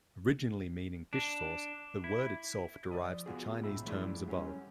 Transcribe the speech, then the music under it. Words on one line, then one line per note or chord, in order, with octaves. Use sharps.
Originally meaning "fish sauce", the word itself derives the Chinese terms above.
D4
E4
F3 D5 D#5
B3 F4 F#4 G#4
B1 A2 E5 B5
F3 G#3 A3 E4 G#4 D5
F#3 G3 C#4